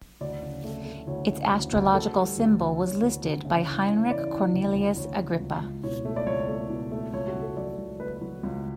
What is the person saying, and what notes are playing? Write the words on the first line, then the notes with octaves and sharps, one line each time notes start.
Its astrological symbol was listed by Heinrich Cornelius Agrippa.
D2 D5
C#3
A3
A3
D2 C#5
C#3
D2
D2
D2 A4
G3
D2
D2
D2 C#5
D2
D2
C#3
E3
C#3
E3 D5
E3
D2
D2
D2 C#5
C#3
C#2
C#2
B2 C#5
A3
D5
C#2 C#5
A3
B2
A3
C#2 C#5
F#4
C#2
A4
F#3 D5
C#2
A3 B4
F#3
C#2